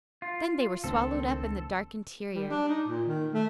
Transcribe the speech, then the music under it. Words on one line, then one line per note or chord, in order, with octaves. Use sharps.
Then they were swallowed up in the dark interior.
F4
C#2 D#3 A3 C4 D4 A4
G3
D4
D#4
A#2
D#3
A3